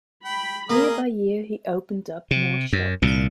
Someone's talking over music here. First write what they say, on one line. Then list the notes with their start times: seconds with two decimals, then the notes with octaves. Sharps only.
Year by year he opened up more shops.
0.25 G5 B5
0.70 A#3 G#4 A#4 D#5 D#6
2.31 C3
2.73 F#2
3.02 C2 A#2